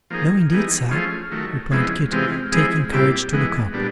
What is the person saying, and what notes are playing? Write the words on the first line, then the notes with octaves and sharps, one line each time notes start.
'No indeed, sir,' replied Kit, taking courage to look up.
F3 A#3 D#4 G#4
E3 G3 B3 D#4 G#4
F3 A3 C#4 F4 G#4
D#3 F#3 A3
C#3 F3 G#3 B3 E4
C3 E3 G#3 C4 F4
F3 G#3 C4 E4 G#4
A#2 G3 C4 E4 G4
E3 G#3 B3
A#2 G3 B3 D4